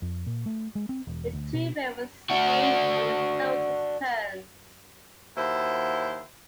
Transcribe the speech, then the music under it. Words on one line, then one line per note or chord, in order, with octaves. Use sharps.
The two men were soon on the closest terms.
F2
A#2
A3
G#3
C4
E1
D2
B2
D4 F#4
D#2 E4 F#4 C5